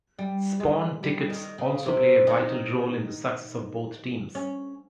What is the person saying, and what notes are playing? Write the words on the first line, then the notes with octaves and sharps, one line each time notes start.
Spawn tickets also play a vital role in the success of both teams.
G3
G#3
G3
D#3
C#3
C3
D#3
C#4